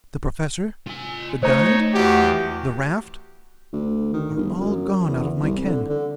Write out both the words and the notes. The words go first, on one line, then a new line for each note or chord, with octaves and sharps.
The Professor, the guide, the raft--are all gone out of my ken.
F4 G#5
A3 D#4 C5 C#5 A#5
E2 F#4 G4
D2
D#3
G1
F#2
E2
C2
D3
D3